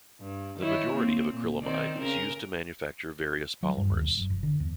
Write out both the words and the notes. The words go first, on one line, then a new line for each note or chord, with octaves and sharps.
The majority of acrylamide is used to manufacture various polymers.
G2
D#3 E4 C#5
A#3 C4
A#2
D#3 C4 D5
C#3 A#4
F#3
G2
D#2
E1
F#2
F1
D3
E2